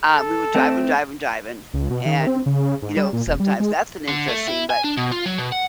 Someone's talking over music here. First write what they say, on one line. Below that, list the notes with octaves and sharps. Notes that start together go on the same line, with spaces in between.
um, we were driving, driving, driving, and, you know, sometimes that's an interesting, but
A4
A3 C4
C#2
B2
D#3
C4
C#3
G#2
G3
A#2
E1
G3
G#3
D3
A3
E4
G#5
D4
B2
F4
F#3
B2
F#5